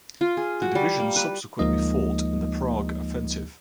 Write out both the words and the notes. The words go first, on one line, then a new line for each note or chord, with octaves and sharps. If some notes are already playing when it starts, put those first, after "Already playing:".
The division subsequently fought in the Prague Offensive.
F4
G#4
F#4
G3
A#3
B4
D2 F3 G#3 A#3 D#4 D#5